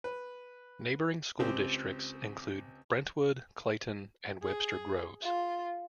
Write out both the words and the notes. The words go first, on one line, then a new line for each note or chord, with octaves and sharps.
Neighboring school districts include Brentwood, Clayton, and Webster Groves.
B4
C#2 C4 G4
G#4
F4